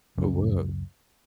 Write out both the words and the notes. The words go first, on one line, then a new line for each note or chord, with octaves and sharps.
Oh, wow.
C#2 F#2 C#3